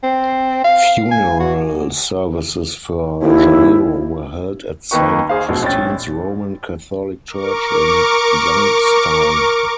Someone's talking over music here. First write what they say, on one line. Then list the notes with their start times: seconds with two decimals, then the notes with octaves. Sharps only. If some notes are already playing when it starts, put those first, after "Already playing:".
Funeral services for Janiro were held at Saint Christine's Roman Catholic Church, in Youngstown.
0.04 C4
0.65 F5
1.11 G#5
1.40 F#4
3.22 D#2 E4
4.91 D#2 A#3 D#4 B4 G5 C#6
5.29 G#4 C5 F5
5.48 D1 A#1 B2
5.63 A#1 C#4 G5 A6
7.29 A#4 C#6 D6